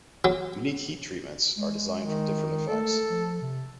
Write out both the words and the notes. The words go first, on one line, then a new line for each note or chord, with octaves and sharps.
Unique heat treatments are designed for different effects.
F#3
G#3
D#3
A3 A4
F3
C3